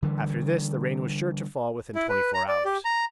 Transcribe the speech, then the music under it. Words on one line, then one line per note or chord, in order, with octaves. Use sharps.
After this the rain was sure to fall within twenty-four hours.
D3 E3 G3
E4
B4
A#5
D5
G4
A#5